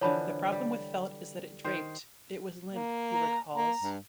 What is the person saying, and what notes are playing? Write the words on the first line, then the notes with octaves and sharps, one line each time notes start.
"The problem with felt is that it draped, it was limp," he recalls.
D3 E3 F3 C#5 A5 B5
G3
D#3 C5
A#3
A#5
A#3 A#5
G2